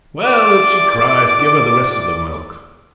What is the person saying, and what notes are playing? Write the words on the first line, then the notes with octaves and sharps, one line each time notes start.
"Well, if she cries, give her the rest of the milk."
E2 D5 D6